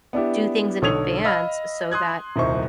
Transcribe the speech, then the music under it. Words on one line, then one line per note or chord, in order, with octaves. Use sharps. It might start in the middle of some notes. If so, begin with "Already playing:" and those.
do things in advance so that
B3 D4 E4 G4
B1 D3 C#5 D#6 G#6 F7
D#5 F5 B5 E6 F6 A#6
C6 D#6 F#6 G#6
D#1 C2 D#4 C5 C#6